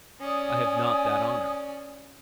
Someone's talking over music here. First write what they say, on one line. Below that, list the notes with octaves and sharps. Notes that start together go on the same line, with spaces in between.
"I have not that honor."
C#4 D5 G#5 D#6